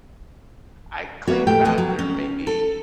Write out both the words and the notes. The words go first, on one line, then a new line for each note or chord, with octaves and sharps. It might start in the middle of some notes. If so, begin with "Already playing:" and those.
I clean the bathroom maybe,
B3 F#4 C#5 D5 E5
A#2 A3 G4 G5
E2 D#5
F#3
C#4
A4